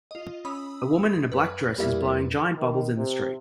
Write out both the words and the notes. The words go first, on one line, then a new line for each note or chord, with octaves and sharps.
A woman in a black dress is blowing giant bubbles in the street.
F4 D#5
C#4 B5 D#6 E6
F#2 B4
F2 G3 A#3 E4
F2
D#3
C3